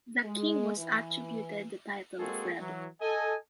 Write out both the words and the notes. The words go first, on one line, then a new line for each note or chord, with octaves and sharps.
The King was attributed the title of rebel.
G#3
E3
G#3 A#3 C4 F#4 G#4 A4
E3 F#3
A4 D#5 G#5